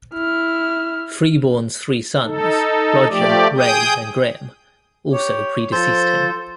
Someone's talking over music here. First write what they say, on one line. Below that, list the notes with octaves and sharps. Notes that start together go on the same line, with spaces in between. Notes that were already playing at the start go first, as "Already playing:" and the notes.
Freeborn's three sons - Roger, Ray and Graham - also predeceased him.
E4 F6
D#4 A4
F3 A3 G4 D5
G#4 G5 D#6 G6
G4 C#5
F3 A4 C5